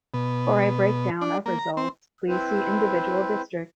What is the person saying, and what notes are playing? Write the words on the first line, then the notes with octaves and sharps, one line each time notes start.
For a breakdown of results, please see individual districts.
B2
D4
A#3
A#5
C4
C4 E4 B4 C5